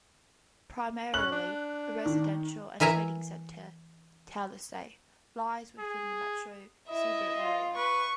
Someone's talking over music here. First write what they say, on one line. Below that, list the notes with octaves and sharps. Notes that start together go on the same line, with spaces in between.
Primarily a residential and trading center, Talisay lies within the Metro Cebu area.
C#4 F#6 F#7
D4
D#3
E3 A#4 E5 G#5 A#5
G#4
E4 D#5 E5
F4
B4 C#6